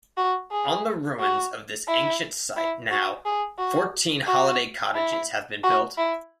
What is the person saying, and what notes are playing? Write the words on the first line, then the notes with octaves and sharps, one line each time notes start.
On the ruins of this ancient site now fourteen holiday cottages have been built.
F#4
G#4
F#4
E4
E4
F#4
G#4
F#4
F#4
E4
F#4
E4